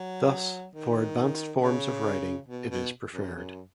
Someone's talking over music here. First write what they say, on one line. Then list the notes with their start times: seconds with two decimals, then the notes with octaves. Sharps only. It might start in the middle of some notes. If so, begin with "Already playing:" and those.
Thus, for advanced forms of riding, it is preferred.
Already playing: F#3
0.75 D#3
1.61 C#3
2.49 B2
2.70 B2
3.14 F#2
3.35 F#2